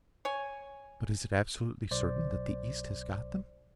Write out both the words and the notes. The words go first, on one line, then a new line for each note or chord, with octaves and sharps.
"But is it absolutely certain that the East has got them?"
C#5 G#5
B1 C5 D5